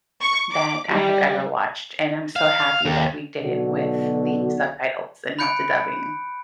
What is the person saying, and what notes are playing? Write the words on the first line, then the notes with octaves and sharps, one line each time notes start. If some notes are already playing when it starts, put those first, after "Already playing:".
that I have ever watched, and I'm so happy that we did it with the subtitles and not the dubbing.
C#6
D6
G3
F5
D#2
B1 B2 D3 F#4
B5 F#6 G6 C#7 D7